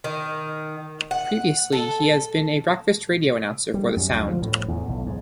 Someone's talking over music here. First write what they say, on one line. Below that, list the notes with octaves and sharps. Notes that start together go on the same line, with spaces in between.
Previously, he has been a breakfast radio announcer for The Sound.
D#3
F#5
A4
G3
F#2
D2
F3
A2
E2
B1
G#2